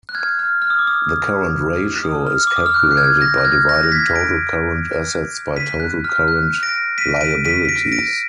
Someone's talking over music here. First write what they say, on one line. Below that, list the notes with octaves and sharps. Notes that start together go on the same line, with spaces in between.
The current ratio is calculated by dividing total current assets by total current liabilities.
F#6
F6 G#6
F6
F6
D#6
D6
D#6
D#6
F6
D6
D#6
F6
F#6
F#6
F6 G#6
F#6 A#6
F#6
F6 G#6
F#6 A#6
A#6
G#6 B6
A#6 D7
B6 D#7
F#6
F6
F#6
A#6 D7
B6 D#7
D7
B6 D#7
B6 D#7
B6
A#6 D7
A#6 D7